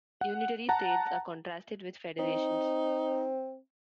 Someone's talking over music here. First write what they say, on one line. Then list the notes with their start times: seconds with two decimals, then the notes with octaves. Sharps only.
Unitary states are contrasted with federations.
0.21 F#5
0.69 F#5 A5 A#5
2.19 C4 D#4